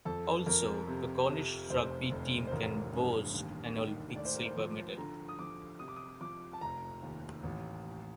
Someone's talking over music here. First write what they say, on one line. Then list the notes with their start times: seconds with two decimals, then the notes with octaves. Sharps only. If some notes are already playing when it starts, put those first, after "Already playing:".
Also, the Cornish rugby team can boast an Olympic silver medal.
0.05 F2 A4
0.46 F2 A#4
0.87 C3
1.29 C3
1.70 F1 C5
2.11 F1
2.47 C5
2.51 A1 A#4
2.93 G2
3.34 D#2
3.75 D#3
4.16 A2 D5
4.25 C5
4.35 A#4
4.45 C5
4.57 F3
4.97 D3 A#5
5.29 D#6
5.39 F3 D6
5.79 C3 D#6
5.88 D6
5.96 D#6
6.21 F3 D6
6.53 A5
6.61 F1 A#5
7.03 D#2
7.43 A1